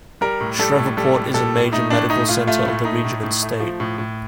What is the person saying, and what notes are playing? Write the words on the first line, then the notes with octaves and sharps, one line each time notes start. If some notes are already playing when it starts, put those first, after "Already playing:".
Shreveport is a major medical center of the region and state.
G3 A#4
A2
G3 A4
A2
G3 A4
A2
G3 A4
A2
A3 D#4
A2 D4
A3 D#4
A2 F4
A3 F4
A2
A3 D#4
A2
A2
A3
F3
A2
A2